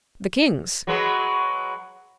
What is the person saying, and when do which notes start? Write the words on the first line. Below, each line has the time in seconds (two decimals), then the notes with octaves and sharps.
The king's.
0.87 F#3 G#3 B3